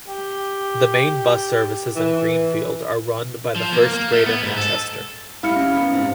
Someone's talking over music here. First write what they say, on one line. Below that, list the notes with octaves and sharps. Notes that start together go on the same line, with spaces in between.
The main bus services in Greenfield are run by First Greater Manchester.
G4
E3
F3
A#3
A#3
A3
B3
G#2
A4
G3 E4 F5 F6 C#7
C#4
D#2 B3
G#2 C3